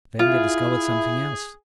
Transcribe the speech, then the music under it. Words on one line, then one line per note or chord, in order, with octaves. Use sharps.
Then they discovered something else.
E4 F4 G#4